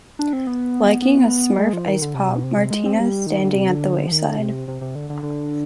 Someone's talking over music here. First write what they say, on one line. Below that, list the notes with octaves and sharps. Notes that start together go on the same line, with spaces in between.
Liking a smurf ice-pop Martina is standing at the wayside.
D4
C4
B3
B3
G#3
F3
D#3
D3
C3
B2
C3
C3
G#3
C4
G3
D#3
D3
C3
D3
F3
D#3
D3
C3
C3
C3
D3
D3
D3